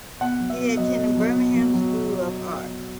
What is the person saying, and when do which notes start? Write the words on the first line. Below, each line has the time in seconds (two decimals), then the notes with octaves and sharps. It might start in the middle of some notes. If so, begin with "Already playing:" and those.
He attended Birmingham School of Art.
0.20 B2 F#5
0.40 F#3
0.50 E5
0.58 B2
0.77 F#3 D#5
0.97 B2
1.16 F#3
1.35 B2
1.54 F#3
1.74 F#3